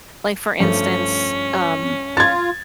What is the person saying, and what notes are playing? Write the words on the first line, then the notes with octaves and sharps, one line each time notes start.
like, for instance, um
G2 F3 A3 C#4
F4 G#6 A6